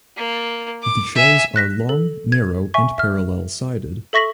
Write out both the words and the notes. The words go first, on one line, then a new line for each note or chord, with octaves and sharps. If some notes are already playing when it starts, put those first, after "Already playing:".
The shells are long, narrow, and parallel-sided.
A#3
D6
E5 G#5
F#6 A#6 B6
A4
G#6
E5 G#5 C#6
E5 F6
A4 E5 C#6 A#6 B6 F#7